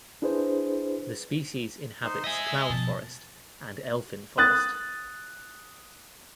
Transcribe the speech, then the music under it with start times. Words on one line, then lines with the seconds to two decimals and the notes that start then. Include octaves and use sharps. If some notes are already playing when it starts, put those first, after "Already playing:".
The species inhabits cloud forest and elfin forest.
0.22 D4 E4 G#4 B4 C5
2.04 D#4 C5
2.24 D#5 E5 G#5
2.47 E5
2.70 B2 F3 A5
4.38 D#6 F#6 A6